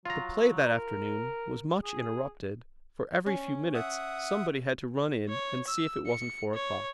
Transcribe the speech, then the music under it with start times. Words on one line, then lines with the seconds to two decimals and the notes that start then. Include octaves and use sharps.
The play that afternoon was much interrupted, for every few minutes somebody had to run in and see if it wasn't four o'clock.
0.05 F#3 F4 A#5
0.66 A#4
1.83 G#4
3.26 C#4
3.74 E5 F#5 D#6
5.29 C#5
5.67 E6
6.07 C#7
6.54 C#5